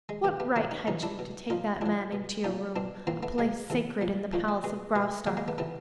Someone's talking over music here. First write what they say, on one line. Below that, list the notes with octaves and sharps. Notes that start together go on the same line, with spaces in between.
What right had you to take that man into your room, a place sacred in the palace of Graustark?
G#3
B2 A3
A3 B3
B2 C4 D4
C#4 D#4
C3 E3 C#4 D#4
D4 E4
B2
A#2 F3 D#4 F4
A2 F3 D4 E4
B2
A#2 F3 C#4 D#4
B2 C4 D4
A2 E3 A#3 C4
A3 B3
B2 G#3 A#3
C3 E3 A3
A#2 F3
A#2 F3 A3
A3
B2 G#3
B2 G#3
A#2 F3 G#3
G#3 A#3
A3 B3
C3 E3 A3 B3